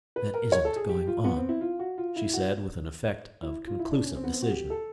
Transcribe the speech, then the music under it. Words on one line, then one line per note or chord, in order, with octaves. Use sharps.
"That isn't going on," she said with an effect of conclusive decision.
B4
A#4
C#5
A4
G#4
G4
F4
B3
C4
E4
F4
F#4
F4
E4
F#4
E4
F4
E4
D4
C#4
C4
B3
C4
F#4
G4
A4